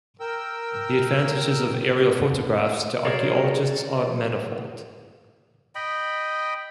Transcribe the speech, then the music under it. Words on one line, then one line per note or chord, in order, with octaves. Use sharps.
The advantages of aerial photographs to archaeologists are manifold.
A#4 G5 E6
F#4 G#4 A#4 C#5 D5
D#5 G5 B5